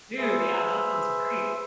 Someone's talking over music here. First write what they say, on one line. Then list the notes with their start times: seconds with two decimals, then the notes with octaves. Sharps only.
Dude, yeah, that sounds great.
0.18 G#4 B4 C5 E5